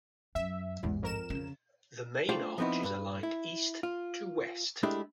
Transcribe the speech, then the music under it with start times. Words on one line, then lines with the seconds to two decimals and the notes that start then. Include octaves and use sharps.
The main arch is aligned east to west.
0.35 F#2 E5
0.83 A1 E2 G#2
1.02 F2 A#4 E7
1.30 C#3
2.29 A3 D4 F4 C5 G5
2.58 F3 B3 C4 D#4 E4
2.83 G2 B4
3.23 E4
3.83 F4
4.83 G#3 A3 D4 E4 G4